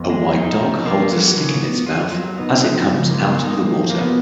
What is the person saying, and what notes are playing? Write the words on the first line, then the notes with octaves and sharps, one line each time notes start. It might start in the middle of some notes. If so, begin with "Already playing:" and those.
A white dog holds a stick in its mouth as it comes out of the water.
Already playing: F2 B3
G#3
D#4
F3
A#3 F4
F#3
C#3
B3
F4
F#3
B3 D#4
F3
C#3
A#3
G#3 B3
D#4
A#3
F3
A#3 F4
B3